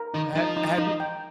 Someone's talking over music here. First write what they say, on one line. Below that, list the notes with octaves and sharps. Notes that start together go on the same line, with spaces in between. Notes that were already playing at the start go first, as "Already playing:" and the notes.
ha have you
Already playing: A#4
D#3 D#4
F3 D#4
D#4
D#4
G5